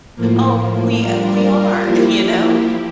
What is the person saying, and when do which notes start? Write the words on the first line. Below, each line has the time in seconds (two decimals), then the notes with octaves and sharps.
Oh, we a we are, you know?
0.16 A2 F3 A#3
1.00 G3 D4 F4 A#4
1.83 F3 A#3 E4 G4